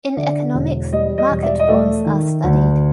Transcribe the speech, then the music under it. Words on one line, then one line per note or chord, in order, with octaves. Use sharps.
In economics, market forms are studied.
D3 D5 E5
E1
G3 D#5
D#5
E1
D5 E5
D#5
A3 D5 E5
D#3
D2